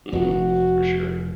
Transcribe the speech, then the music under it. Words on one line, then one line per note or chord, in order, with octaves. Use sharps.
Mm, for sure.
F1 F#4